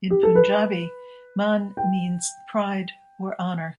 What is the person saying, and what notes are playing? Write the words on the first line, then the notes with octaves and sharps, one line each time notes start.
In Punjabi, "Mann" means "pride" or "honour".
G4
A4
B4
G5